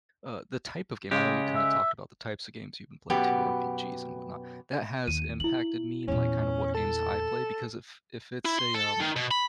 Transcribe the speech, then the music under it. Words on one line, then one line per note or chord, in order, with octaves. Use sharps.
uh, the type of game, I know you, kinda, talked about the types of games you've been playing too, RPGs and whatnot- that has impacted me in, like, kinda, what games I play because if if it's a, um
C#3 G#3 G4
E5
F#2 B2 B3 G4
D#2 D#7
D#4 E4 F#7
E2 A#2 C#4
A4
E4
C6
A4
D#3
B2
B5